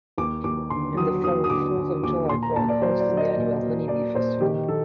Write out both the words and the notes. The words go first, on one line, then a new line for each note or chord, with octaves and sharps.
In the fall, Fourth of July Park hosts the annual Honeybee Festival.
D#2 D6
D#2 D6
D3 C6
F#3 D#6
D#2 D#6
D#6
D3 D6
D3
D#2 D6
A#2 C6
A#5
A#2 A5
D5
F#3 C5
D5
F#3
D#5
A#2
A#3
A#3 D5
A#2 C5
D#3 G4
D#3 A4